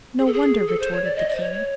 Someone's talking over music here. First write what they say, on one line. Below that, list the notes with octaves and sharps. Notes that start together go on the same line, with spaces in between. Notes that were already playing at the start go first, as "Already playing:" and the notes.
"No wonder!" retorted the king.
G#4
A4
G#4
A4
C5
C#5
D5
D#5
D5
C5
C#5
C#5